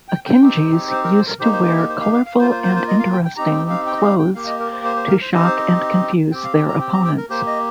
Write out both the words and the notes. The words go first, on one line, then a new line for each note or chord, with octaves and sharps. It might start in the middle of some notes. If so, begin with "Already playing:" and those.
Akinjis used to wear colourful and interesting clothes to shock and confuse their opponents.
G5
G5
C4 D#4 G4
C5
A#4
C5
A#4
A#3 D#4 G4 C5
C5
C5
A#4
C5
F5
F5
F5
A#3 F4 C5
C5
C5
C5
D#5
F5
G5
G5
C4 D#4 G4 A#5
G5
F5
G5
D#5
F5
G5
A#3 G4 F5
D#5
A#4
C5
C5
C5
A#4
C5
C4 D#4 G4 D#5
C5
D#5
C4 G4 G5
F5
G5
A#5
G5
A#5
G5
A#4
A#3 G4 C5
D#5